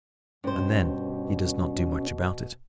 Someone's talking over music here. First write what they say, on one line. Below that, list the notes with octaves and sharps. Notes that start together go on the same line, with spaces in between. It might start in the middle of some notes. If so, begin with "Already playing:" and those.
And then he does not do much about it.
G2 B2 C#4 C5